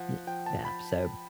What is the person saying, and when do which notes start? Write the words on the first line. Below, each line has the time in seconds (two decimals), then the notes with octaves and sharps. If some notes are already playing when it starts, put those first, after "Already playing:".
Y yeah. So,
Already playing: F3 F#5
0.27 F3 G5
0.46 A5
0.65 B5